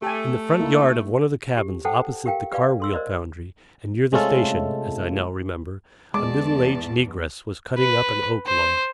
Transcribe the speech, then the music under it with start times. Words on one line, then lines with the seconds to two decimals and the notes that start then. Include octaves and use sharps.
In the front yard of one of the cabins opposite the car-wheel foundry, and near the station, as I now remember, a middle-aged negress was cutting up an oak log.
0.02 A3 G4 G#5
0.59 A#3 D#4 E4
1.57 G4
1.85 A4 C5 F#5 G5 A5
2.26 G4 A#4 F5 G5
2.51 F4 G4 B4 D5 F5
2.80 A4 C6 E6
2.94 A#4 C5 D5 D#5
4.12 C3 G#3 A3 C#4 F4 A4
6.14 E2 G#3 D5 A5 D6
7.78 B4
8.46 C5